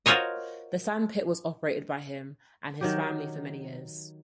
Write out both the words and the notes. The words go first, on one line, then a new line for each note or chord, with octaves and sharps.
The sand pit was operated by him and his family for many years.
F4 F#4 A#4 C5 C#5 D#5
D#3 F#3 G4